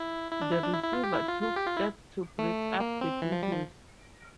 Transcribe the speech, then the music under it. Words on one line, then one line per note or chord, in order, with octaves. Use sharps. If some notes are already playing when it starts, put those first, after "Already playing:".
The Receiver took steps to break up the business.
Already playing: E4
E4
D4
E4
D4
E4
E4
F4
G4
E4
F4
F4
G4
F4
E4
A3
A#3
C4
E3
F3
G3
F3